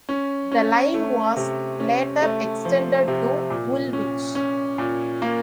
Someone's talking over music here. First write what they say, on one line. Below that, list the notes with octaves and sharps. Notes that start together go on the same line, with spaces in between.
The line was later extended to Woolwich.
C#4
C#4
A3
C3
C#4
A3
F3
C3
A#2
C#4
C#4
A#2
A#3